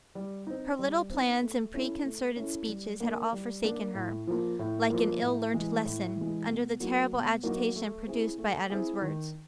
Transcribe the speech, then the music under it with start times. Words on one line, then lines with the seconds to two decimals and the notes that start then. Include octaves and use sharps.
Her little plans and preconcerted speeches had all forsaken her, like an ill-learnt lesson, under the terrible agitation produced by Adam's words.
0.15 G3
0.47 C4 D#4
0.79 G3
1.10 C4 D#4
1.42 A3
1.74 C#4 E4 A4
2.05 A3
2.37 C#4 E4 A4
2.69 G3
3.00 A#3 D4
3.33 G3
3.63 A#3 D4
3.95 A2
4.27 F3 A#3
4.59 A2
4.90 F3 A#3
5.22 A2
5.54 E3 G#3
5.85 A2
6.16 E3 G#3
6.48 B2
6.80 F#3 A#3 D#4 F#4
7.12 B2
7.43 F#3 A#3 D#4 F#4
7.76 A3
8.07 C4 E4 G#4
8.38 A3
8.70 C4 E4 G#4
9.02 D#3